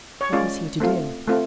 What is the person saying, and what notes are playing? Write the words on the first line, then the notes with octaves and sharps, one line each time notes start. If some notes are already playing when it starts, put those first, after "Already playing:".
What was he to do?
C#5
G#3 C#4 F4 D5
A3 C4 F4
A3 C4 F4